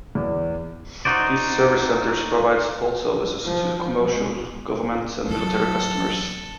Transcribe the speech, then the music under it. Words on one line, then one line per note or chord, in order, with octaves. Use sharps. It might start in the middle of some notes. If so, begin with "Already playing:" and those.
These service centers provide support services to commercial, government and military customers.
E2
D#4 F#4 C5 D5
F3
G#3
F#3 A4